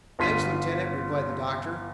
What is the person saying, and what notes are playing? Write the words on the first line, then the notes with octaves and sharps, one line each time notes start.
"Thanks, Lieutenant," replied the Doctor.
G1 F4 C6 B6 D#7